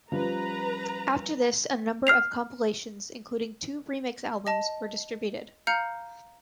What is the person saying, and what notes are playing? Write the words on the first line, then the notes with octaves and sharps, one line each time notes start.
After this, a number of compilations, including two remix albums, were distributed.
F3 G3 C#4 B4 A#5
F6 C7 F7
D#5 A5
F5 A#5 F6 G6 C#7